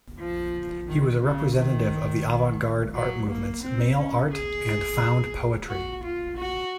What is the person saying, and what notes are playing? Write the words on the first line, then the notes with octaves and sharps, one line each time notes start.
He was a representative of the avant-garde art movements Mail Art and Found Poetry.
F3
D#3
C#3
D#3
F#3
A#3
C4
C#4
G#4
F#4
F4
F#4